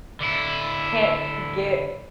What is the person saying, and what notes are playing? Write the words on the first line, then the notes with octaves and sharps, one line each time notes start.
can't get
D3 E4